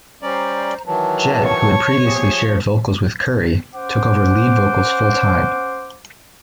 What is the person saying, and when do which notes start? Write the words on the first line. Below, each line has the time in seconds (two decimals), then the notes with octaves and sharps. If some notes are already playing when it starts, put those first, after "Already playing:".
Jett, who had previously shared vocals with Currie, took over lead vocals full-time.
0.22 G3 C#4 C5 D5 A#5
0.86 D#3 E3 F#3 A5
1.45 C#5
2.03 F3 G4 G#4
3.74 C#4 C5 F#5 D6